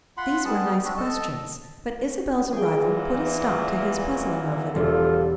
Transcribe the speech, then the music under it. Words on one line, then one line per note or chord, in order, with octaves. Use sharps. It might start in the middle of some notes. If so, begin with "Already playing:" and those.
These were nice questions, but Isabel's arrival put a stop to his puzzling over them.
F4 F#5 B5 C6
G3 B3 G#4 A5
C4 D4 F#4
A4 D#5 A5
E2 A#2 E3 G#4 G5
E1 G3 F4 A4